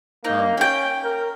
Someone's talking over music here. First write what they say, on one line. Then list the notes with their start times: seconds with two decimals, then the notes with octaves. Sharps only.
Um, i
0.25 A#3 D#4
0.57 C#4 G4 G5
1.04 A#4